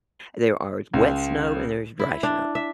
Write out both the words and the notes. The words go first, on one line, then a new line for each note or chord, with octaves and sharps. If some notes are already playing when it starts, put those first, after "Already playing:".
There are s wet snow, and there's dry snow.
C#2
E4
D4
E5